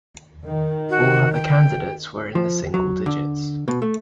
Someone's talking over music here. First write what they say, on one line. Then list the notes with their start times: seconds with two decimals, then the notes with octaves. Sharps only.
All other candidates were in the single digits.
0.46 D#3
0.90 F#4
1.33 G5
2.35 F3
2.74 F#3
3.06 D3
3.68 B2
3.82 A3